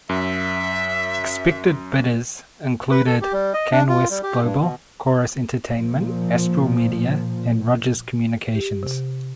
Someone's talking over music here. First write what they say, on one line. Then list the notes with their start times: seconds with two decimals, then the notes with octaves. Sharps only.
Expected bidders included Canwest Global, Corus Entertainment, Astral Media, and Rogers Communications.
0.09 F#2 E5
2.91 B4
3.06 A4
3.21 G4
3.33 G3
3.54 D#5
3.72 D4
3.89 F4
4.10 G3
4.23 G4
4.43 G2
4.60 B2
5.75 A#2 F3
8.55 G4
8.83 C3